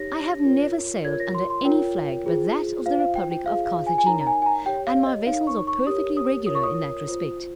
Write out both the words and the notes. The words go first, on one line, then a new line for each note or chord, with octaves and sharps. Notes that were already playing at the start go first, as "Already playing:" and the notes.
I have never sailed under any flag but that of the republic of Carthagena, and my vessels are perfectly regular in that respect.
Already playing: D#4 G4 C#5 A#6
F4 A#4 C#5
F4 A#4 C#5 G#6
A#6
C6
C6
F4 A#4 C#5 G5
F4 G#4 C5
F4 C5 F5
F5
G5
G5
F4 G#4 C5 F5
F5
G#5
G#5
D#4 A#4 C#5 A#5
A#5
G#5
G#5
A#5
G4 C#5 G5
F5
D#5
D#4 A#4 C#5 F5
C#6
C#6
G4 A#4 C#5 D#6
D#6
F4 A#4 C#5 D#6
C#6
D#6
F4 C5